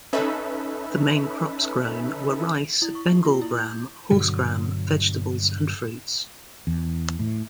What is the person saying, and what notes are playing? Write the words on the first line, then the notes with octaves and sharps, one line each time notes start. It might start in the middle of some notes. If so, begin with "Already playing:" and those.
The main crops grown were rice, Bengal gram, horse gram, vegetables and fruits.
C#4 D#4 A4 B4 E5 B5
E4
C#6
A#3
F4
E4
G#6
G6
G2 B2 D3 F#3
E2
A2